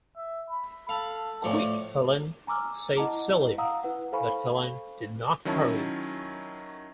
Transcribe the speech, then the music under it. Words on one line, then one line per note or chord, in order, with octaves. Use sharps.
"Quick, Helene," said Celia. But Helene did not hurry.
E5
B5
A4 F5 B5
A2 F3 D5
G#5 A#5 C6 D6 E6 F6
E4 D#5 F#5 A5 A#5 D6
F5 F#5 A#5 D#6 E6
E4 B4 F#5
A4 C5 F5 G#5 B5 C#6
D#3 F#3 C#4 E4 A5